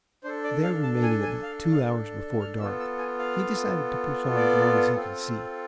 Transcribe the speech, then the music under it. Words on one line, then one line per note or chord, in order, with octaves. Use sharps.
There remaining about two hours before dark, he decided to push on as long as he could see.
D4 A4 C5
D5
F5
A5
G#5
G#5
F5
F5
F6
B3 F4 A4 E6
E6
G#5
F5
D5
C4 F4 A4